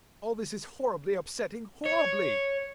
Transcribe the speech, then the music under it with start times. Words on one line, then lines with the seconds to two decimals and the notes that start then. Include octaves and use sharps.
All this is horribly upsetting, horribly.
1.86 C#5